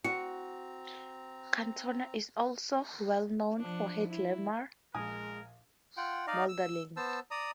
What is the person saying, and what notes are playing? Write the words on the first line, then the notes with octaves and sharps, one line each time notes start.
Katona is also well known for her glamour modelling.
C4 F#4 A#5 C#7
F3 D4
E4
A#1 G#3 A#4 G#5 D#6
F4 F#5 G5
D#4 D5 D#5 F5
E6
B3 C5 A5 E6
D5 A#5 D#6